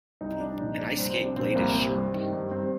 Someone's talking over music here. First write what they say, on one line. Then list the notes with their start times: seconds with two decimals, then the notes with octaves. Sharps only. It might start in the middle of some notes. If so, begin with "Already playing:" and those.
An ice skate blade is sharp.
0.21 C2 D#4
0.40 F3 D4
0.59 A#2 D#4
0.78 C2 D4
0.98 C2 C4
1.10 C4
1.17 F3
1.24 D4
1.36 A#2 C4
1.55 C2 A#3
1.75 G2 C4
1.93 G3
2.13 D#3
2.33 G2
2.51 G2 C4